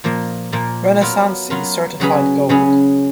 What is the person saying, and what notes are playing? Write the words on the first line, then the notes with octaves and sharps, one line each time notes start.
Renesanssi certified gold.
A#2 F3 A#3
A#2 F3 A#3
F#3 B3 F4 A#4
F#3 B3 F4 A#4
C#3 F#3 C#4 G#4 B4
C#3 F#3 C#4 G#4 B4